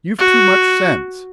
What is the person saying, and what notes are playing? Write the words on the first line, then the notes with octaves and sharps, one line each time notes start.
You've too much sense.
F#4